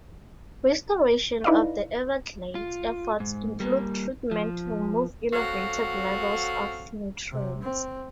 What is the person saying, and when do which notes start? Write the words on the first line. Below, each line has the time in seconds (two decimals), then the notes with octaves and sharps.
Restoration of the Everglades efforts include treatment to remove elevated levels of nutrients.
1.44 D#4 E4 B4 D5 D#5 F5
2.55 F4
3.20 G#2
3.60 G3 A#3
4.31 F3
5.33 F#3 C4 F#4 A4 F5
7.31 C3
7.62 C4